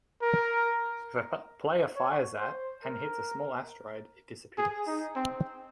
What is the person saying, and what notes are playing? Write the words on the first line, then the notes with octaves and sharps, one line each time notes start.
If a player fires at and hits a small asteroid, it disappears.
A#4
C#5
C5
A#4
G#4
D#4
C4